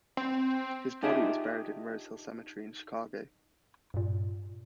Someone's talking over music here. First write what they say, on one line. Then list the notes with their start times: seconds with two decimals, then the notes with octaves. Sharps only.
His body was buried in Rosehill Cemetery in Chicago.
0.17 C4
1.03 D4 D#4 F4 G4 G#4 E5
3.94 G2 A#2